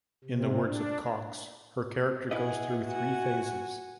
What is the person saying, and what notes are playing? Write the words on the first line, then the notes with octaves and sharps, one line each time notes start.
In the words of Cox, her character goes through three phases.
C3
D4
E4 G#4 B4 D#5 F#5
F#4 F#5 G#5